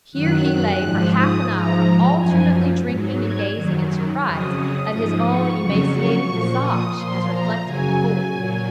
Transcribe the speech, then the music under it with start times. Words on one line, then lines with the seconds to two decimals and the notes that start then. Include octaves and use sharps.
Here he lay for half an hour alternately drinking and gazing in surprise at his own emaciated visage as reflected in the pool.
0.12 F#2 D#3 F#3 F#6
0.81 G#2 F3
1.14 D#6
1.48 G#2 F3 A#5
2.17 F#2 F3 G#5
2.85 G#2 F#3
3.20 G#6
3.54 F#2 D#3 F#3
4.22 F2 C#3 F#3 D#6
4.57 D#6
4.90 G#2 F3 D#6
5.25 C#6
5.58 F2 C#3 F#3
5.94 C#6
6.27 A#2 F3
6.61 D#6
6.95 A#2 F3 C6
7.30 A#5
7.64 F#2 C#3 F#3 G#5
8.33 A#2 F#3